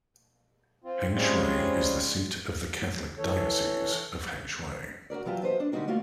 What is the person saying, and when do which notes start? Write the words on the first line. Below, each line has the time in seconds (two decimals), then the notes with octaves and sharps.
Hengshui is the seat of the Catholic Diocese of Hengshui.
0.84 C4 F4
1.13 G3 G#3 C4 C#4 F4
3.18 E3 A4 C#5
5.10 F#4 G#4 A#4 D5
5.25 E3 F#3 F4 G4 A5
5.43 B4 C5 D#5
5.60 D4
5.72 D3 G3 A3 D#4 F#4 A#4
5.88 A3 A#3 F4 F#4